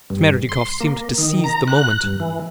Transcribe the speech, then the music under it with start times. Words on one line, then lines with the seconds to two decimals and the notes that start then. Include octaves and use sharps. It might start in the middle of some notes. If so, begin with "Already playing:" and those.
Smerdyakov seemed to seize the moment.
0.10 G2
0.49 C6
0.80 A#3
1.18 D#3
1.44 A#5
1.68 F#6
2.03 G2
2.20 E3